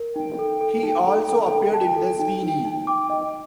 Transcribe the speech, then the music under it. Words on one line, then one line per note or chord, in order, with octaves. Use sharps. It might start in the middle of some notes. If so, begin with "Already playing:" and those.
He also appeared in "The Sweeney".
Already playing: A#4
D#4 G5
A4
A4
D#4
A4
A4
A4
A5
A4
D#4
D#4
D#4
D6
D#5